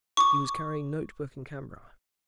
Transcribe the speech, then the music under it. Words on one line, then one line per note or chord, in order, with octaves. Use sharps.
He was carrying note-book and camera.
C#6 D6